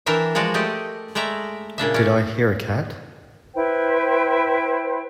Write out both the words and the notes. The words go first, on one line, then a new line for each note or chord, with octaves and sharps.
Did I hear a cat?
E3 D4 A#4 E5 G5
F3 G#3 F#4 D5
A3 G4 D5 D#5
G#3 A3 D5 E5 A#5
A#2 C#3 D4 E5
C#4 D5
E4 B4 C5 G5